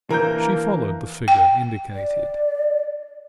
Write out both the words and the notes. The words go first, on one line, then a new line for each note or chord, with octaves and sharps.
She followed the figure indicated.
E3 A#3 D4 A#4 A#5 G6
G5
D5